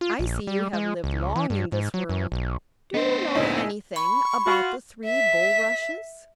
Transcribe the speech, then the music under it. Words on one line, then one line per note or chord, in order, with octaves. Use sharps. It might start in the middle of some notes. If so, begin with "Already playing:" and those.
I see you have lived long in this world; do you know anything about the three bulrushes?'
F4
A#1
G3
G#3
C#2
E3
G2
G#2
F#3
F#2
B1
B3 D4 C5 D#5
D2 G2 A#2 G#3 D#4 E4 D#5
B5 C#6
F4 F#4
E5 B6